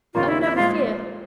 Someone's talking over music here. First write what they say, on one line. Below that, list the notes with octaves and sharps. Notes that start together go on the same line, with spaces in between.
'Oh! never fear!
D#2 C#3 F3 A#3 F4
E4
E4
A#2 F3 G#3 F4